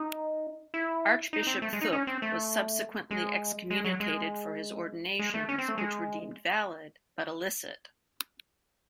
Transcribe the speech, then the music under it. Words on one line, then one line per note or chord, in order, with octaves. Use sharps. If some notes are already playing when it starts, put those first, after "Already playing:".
Archbishop Thục was subsequently excommunicated for his ordinations, which were deemed valid but illicit.
Already playing: D#4
E4
D#4
C4
A3
G#3
D#4
C#4
C4
A3
G#3
G#3
F#3
G#3
G#3
A3
C#4
C4
A3
G#3